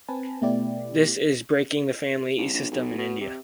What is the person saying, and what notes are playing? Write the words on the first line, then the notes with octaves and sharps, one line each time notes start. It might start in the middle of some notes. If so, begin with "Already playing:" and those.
This is breaking the family system in India.
C4 B4 G#5 A5
B2 A3 B3 E4 G4 D5
C2
A#1
B1
B2
C3